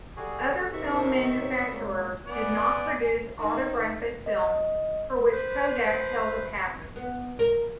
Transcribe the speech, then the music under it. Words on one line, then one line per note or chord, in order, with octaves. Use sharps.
Other film manufacturers did not produce Autographic films, for which Kodak held a patent.
G3 F#4 G#4 A4
C3 D#3 C4 D#4 E5 C#6
C#5
A#2 G#3 A#3 C#5
B3 D5 G#5
D#3
D#5
B4 C5
B3
A#4